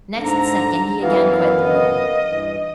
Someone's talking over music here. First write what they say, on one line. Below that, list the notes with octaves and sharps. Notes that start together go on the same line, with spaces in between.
Next second he again quit the room.
G#2 D3 A#5
F#2 E3 B3 F5
D#5
G2 E3